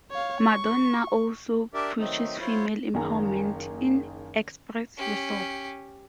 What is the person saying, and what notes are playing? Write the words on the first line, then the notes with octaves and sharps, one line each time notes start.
Madonna also preaches female empowerment in "Express Yourself".
C#5 F5
C#6
D4 G4 A#4 D5 E5
D#3 F#3 A3 C4 D#4
F#3 E4 F4 C5 C#5
F#1 D#3 A#3 G#4 A#5
C#4 G4